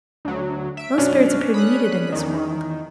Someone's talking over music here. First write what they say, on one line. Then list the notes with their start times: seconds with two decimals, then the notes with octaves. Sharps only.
Most spirits appear to need it in this world.
0.25 D2 F#3
0.77 E5 D7
0.98 F#2 B2 C#4 D4
1.54 B5 D#6 F#6
2.12 E2 D#3